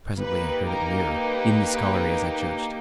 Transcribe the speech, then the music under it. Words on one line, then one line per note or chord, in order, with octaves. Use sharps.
Presently I heard it nearer--in the scullery, as I judged.
A#3 D#4 G4 B4
A#4
B4